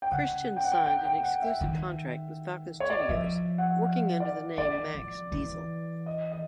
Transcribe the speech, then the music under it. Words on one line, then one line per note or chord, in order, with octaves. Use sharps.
Christian signed an exclusive contract with Falcon Studios working under the name Maxx Diesel.
G5
C#3 F#5
G5
F#5
G5
G5
G5
F#5
E5
D#3
C#5
D5
D#5
F3 E5
F#5
F5
D5
E3 D5
F3
E3
D#5
D#5